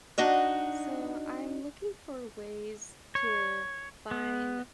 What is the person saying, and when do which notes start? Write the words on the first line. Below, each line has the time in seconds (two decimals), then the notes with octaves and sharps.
So, I'm looking for ways to find
0.18 D4 D#4 F#4 D#5
3.15 C#5
4.11 B3